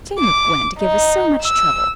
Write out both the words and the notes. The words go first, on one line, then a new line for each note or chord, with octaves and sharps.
Shame of Gwen to give us so much trouble!
D6
D#4
E6